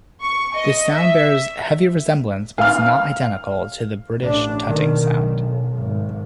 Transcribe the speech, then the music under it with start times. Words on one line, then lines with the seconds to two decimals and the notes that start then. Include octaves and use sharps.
This sound bears heavy resemblance, but is not identical, to the British tutting sound.
0.22 C#6
0.55 D#5
0.91 E5
2.58 F5 F6
4.19 A1 D4
4.66 B2 D#3
5.13 B1
5.76 G#1